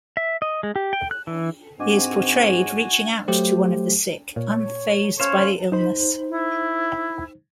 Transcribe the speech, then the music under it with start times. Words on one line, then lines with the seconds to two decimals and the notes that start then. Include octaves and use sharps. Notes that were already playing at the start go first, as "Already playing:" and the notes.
He is portrayed reaching out to one of the sick, unfazed by the illness.
0.17 E5
0.42 D#5
0.63 G#3
0.76 G4
0.93 G5
1.11 F#6
1.27 E3
1.80 G#2 C4 D4 F#4 D#5 G#5 D6
3.28 F#3 A3 G4 C5
4.36 A#2 C#5
5.20 C#4 C5 C#5 F5
5.72 D#4 C5
6.29 E4